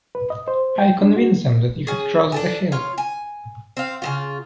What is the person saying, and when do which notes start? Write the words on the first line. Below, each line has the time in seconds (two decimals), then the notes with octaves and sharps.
I convinced them that you had crossed the hill.
0.15 B4
0.30 D#5
0.48 C5
0.79 G5
1.02 D4
1.16 F#4
1.87 C#4 G#4
2.32 D4 A4 G#5
2.72 F4 C#5
2.98 G#5
3.77 C4 F5
4.02 C#3 F#3 F4